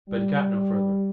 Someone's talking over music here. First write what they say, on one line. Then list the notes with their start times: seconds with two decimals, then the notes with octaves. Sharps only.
But he got no further.
0.09 G3